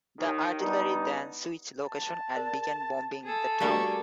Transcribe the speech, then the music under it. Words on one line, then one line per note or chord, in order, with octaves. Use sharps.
The artillery then switched location and began bombing the town.
D#2 D#3
G3 B3 D4 D#4
A5
G#4 A#4 D5
G#4 A4
G3 A3 A#3 D4 F#4 C#6